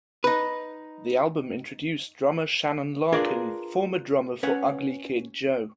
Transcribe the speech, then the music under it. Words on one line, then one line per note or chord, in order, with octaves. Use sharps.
The album introduced drummer Shannon Larkin, former drummer for Ugly Kid Joe.
D#4 B4
D4 F4 G#4 A#4 B4 D5
C#4 B4 C#5 F#5